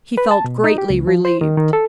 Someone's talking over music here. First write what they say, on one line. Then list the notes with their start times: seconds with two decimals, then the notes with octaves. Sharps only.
He felt greatly relieved.
0.18 B4
0.31 A5
0.44 B2
0.64 D#4
0.78 G4
0.90 C#2
1.07 F3
1.25 C5
1.41 D#3
1.58 D#3
1.73 A4